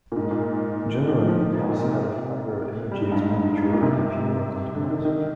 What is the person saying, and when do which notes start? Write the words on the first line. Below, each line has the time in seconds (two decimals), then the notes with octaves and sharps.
Generally males had a higher energy expenditure than their female counterparts.
0.12 A#2
0.16 G#2
0.31 A#2
1.03 D3
1.08 D#3
1.18 F3
1.28 F3
1.38 D#3
1.53 G#2
1.69 A#2
1.84 C3
2.92 G3
3.01 G#2
3.12 G2
3.22 G#2
3.37 G2
3.52 G#2
3.62 G#2
3.73 A#2
3.83 C3
4.75 D3
4.90 D#3
5.05 D#3